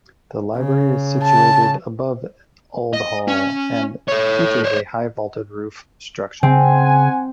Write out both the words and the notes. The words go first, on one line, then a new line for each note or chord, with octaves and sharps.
The library is situated above Eld Hall, and features a high vaulted roof structure.
C#3
A5
D#5
C#4
A4 C#5
C5 C#5
C#3 C4 F#5 G#5